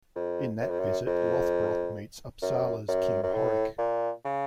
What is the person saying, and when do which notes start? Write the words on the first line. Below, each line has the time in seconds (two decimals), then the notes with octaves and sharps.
In that visit Lothbrok meets Uppsala's King Horik.
0.15 F2
0.61 F#2
0.70 F2
0.80 F#2
1.06 F2
2.43 F#2
2.88 F#2
3.23 F#2
3.34 A2
3.78 A#2
4.25 C#3